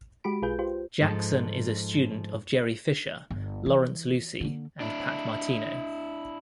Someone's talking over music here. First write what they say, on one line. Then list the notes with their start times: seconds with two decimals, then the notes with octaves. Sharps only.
Jackson is a student of Jerry Fisher, Lawrence Lucie, and Pat Martino.
0.24 G#3 F#4 G4 B5 D7
0.42 B1 F4 G#4 B4 G6
0.59 F4 G4 C5
1.01 G#2 F3 A4
3.30 G1
3.66 E3
4.41 D3 A#3
4.81 D4 E4